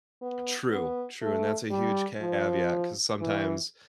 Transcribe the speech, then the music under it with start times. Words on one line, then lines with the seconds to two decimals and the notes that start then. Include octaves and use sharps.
True, true, and that's a huge caveat 'cause sometimes
0.22 B3
0.72 B3
1.22 A3
1.71 G3
2.21 F3
3.21 E3